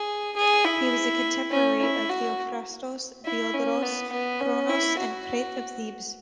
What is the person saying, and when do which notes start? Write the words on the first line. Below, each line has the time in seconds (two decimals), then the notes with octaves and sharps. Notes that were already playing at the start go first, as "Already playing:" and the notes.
He was a contemporary of Theophrastus, Diodorus Cronus, and Crates of Thebes.
Already playing: G#4
0.36 G#4
0.65 E4
1.51 C#4
1.81 E4
2.09 F#4
3.25 E4
3.54 C#4
3.82 B3
4.12 B3
4.40 C#4
4.69 E4
4.99 F#4